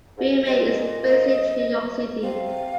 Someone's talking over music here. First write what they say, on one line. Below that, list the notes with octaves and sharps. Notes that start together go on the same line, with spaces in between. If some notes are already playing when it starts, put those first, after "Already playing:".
Veihmeyer is based in New York City.
G#2
C3 D#5
A#2
G#2
A#2
C3 F5